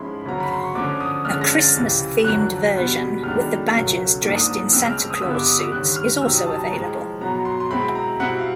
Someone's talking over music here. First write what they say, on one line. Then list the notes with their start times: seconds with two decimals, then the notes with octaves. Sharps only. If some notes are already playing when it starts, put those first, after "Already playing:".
A Christmas-themed version, with the badgers dressed in Santa Claus suits, is also available.
Already playing: G#2 F3 G#3 C#4 E4 B5 C6
0.26 D2 C#3 F#3 A#5
0.40 B5
0.52 C6
0.64 C#6
0.75 D3 F3 A3 C#4 D6
1.00 D#6
1.25 D3 F3 G#3 C#4 F6
1.41 A#6
1.58 A6
1.74 C#2 C3 E3
2.24 F2 D3 F#3 F#6
2.74 B2 G3 B3 D4 F4
3.23 F#2 D#3 G#3 B3 D4 F6
3.73 C#2 B2 F#3 A3
4.23 G#2 F3 A#3 D4 F4
4.36 D#6
4.72 C#3 F3 G#3 C4 E6
4.85 F6
4.98 E6
5.10 D#6
5.22 G2 D3 G3 B3 E4 E6
5.35 D6
5.46 D#6
5.60 E6
5.72 D#2 D3 G3 F#6
5.96 F6
6.22 C3 D#3 F#3 E6
6.34 D#6
6.46 A5
6.58 A#5
6.71 A2 F3 G#3
7.21 B2 F#3 B3 A#5
7.45 C6
7.60 C6
7.70 B2 G#3 C4 E4 B5
7.95 A#5
8.20 B2 G3 C4 E4 F#5
8.39 F5